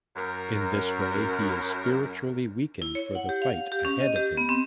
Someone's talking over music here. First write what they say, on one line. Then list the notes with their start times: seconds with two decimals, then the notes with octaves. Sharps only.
In this way he is spiritually weakened for the fight ahead of him.
0.16 F#2 A#4
2.82 E4
2.95 C#5
3.15 F#5
3.29 G4
3.42 F5
3.72 G4
3.85 C#4
4.00 D#5
4.16 G4
4.37 B3
4.49 C4